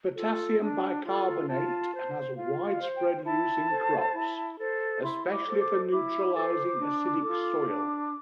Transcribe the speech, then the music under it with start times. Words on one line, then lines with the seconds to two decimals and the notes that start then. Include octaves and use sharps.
Potassium bicarbonate has widespread use in crops, especially for neutralizing acidic soil.
0.16 F4 A4
0.60 D4
1.05 F4 A4
1.48 F4 A5
1.93 C5
2.37 F4 F5
2.67 F5
2.81 C5
2.96 G5
3.25 E4 A5
3.70 A4 C5
4.14 E4
4.58 A4 C5
5.03 E4 C6
5.32 D6
5.47 A4 C5
5.62 D6
5.91 E4 D6
6.35 A4 C5
6.79 D4
7.23 F4 A4
7.68 D4